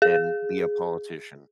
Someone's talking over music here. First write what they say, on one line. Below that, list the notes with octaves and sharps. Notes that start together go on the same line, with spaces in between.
than be a politician.
G#4